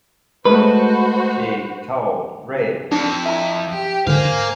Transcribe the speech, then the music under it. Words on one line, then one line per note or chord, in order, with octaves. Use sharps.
She told Rev.
G#3 A3 F#4 B4 C5
F2 D4
E4 E5 A#5
G4
G#2 D3 A#4 C5 F5 G#5